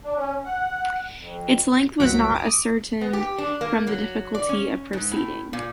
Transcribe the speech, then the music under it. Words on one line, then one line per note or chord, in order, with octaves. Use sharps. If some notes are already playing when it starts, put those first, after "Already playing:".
Its length was not ascertained from the difficulty of proceeding.
D4
C#4
F#5
F2
G1 C#2 F#3 F#5 B6 D7
D6 D#6
B3
G4
D4
A#3
F#3
D5
C#4
G#2
A2
A#2